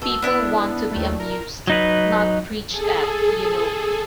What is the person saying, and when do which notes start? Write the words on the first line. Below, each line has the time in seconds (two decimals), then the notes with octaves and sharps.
People want to be amused, not preached at, you know.
0.02 B2 A4
0.22 B3 D4 E4
0.91 D#2 A3
1.20 A#4
1.67 F#3 D#4 B4
2.70 G#4 A4